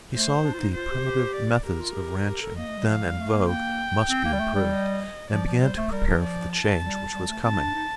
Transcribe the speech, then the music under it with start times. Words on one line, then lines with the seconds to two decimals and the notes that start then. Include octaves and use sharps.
He saw that the primitive methods of ranching then in vogue must be improved, and began to prepare for the change which was coming.
0.13 A3 C5
0.44 D4
0.54 F4
0.59 D#4
0.74 F4 C5
0.90 G4
1.05 G4
1.35 D5
1.66 G4 A#4
1.80 F4
1.92 G4
2.27 G4
2.42 A4
2.57 A#3 D#5
2.68 A3
2.77 G3
2.88 F3 F5
3.03 G3
3.19 A3
3.34 A#3
3.48 G5
4.10 C4
4.25 A#3
4.33 G3
4.40 A3
4.55 G3
4.71 D#5
5.31 F3 D5
5.46 F3
5.61 G3 C5
5.77 A3
5.91 G3 A#4
6.07 F3
6.23 D5
6.53 A5
6.84 G3
7.14 G3
7.28 A3
7.44 C4 A5
7.54 D#4
7.59 D4
7.74 D#4